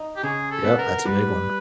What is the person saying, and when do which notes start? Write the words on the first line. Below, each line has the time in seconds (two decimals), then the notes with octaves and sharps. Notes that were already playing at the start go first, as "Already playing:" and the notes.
Yep, that's a big one.
Already playing: D#4
0.17 G4
0.23 C#3 G#4
0.51 A4
0.65 B3
0.78 A#4
1.06 G3 B4